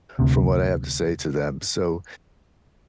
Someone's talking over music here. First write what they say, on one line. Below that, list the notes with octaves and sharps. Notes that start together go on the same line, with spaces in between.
from what I have to say to them.” So,
D2 C3